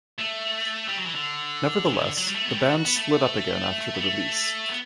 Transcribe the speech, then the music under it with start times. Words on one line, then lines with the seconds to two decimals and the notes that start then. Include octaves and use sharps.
Nevertheless, the band split up again after the release.
0.19 A3
0.88 G3
0.97 F#3
1.06 E3
1.15 D3
1.86 D3
1.92 C#3
2.01 D3
2.18 F#3
2.27 G3
2.36 A3
2.45 B3
2.48 F#3
2.53 G3
2.57 B3
2.62 A3
2.73 F#4
2.84 B3
2.96 A3
3.94 B3
4.00 A3
4.69 B3